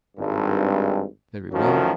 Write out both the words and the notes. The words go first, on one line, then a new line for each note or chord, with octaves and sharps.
Very well.
G#1 G2
F#2 A2 D#3 F3 F#3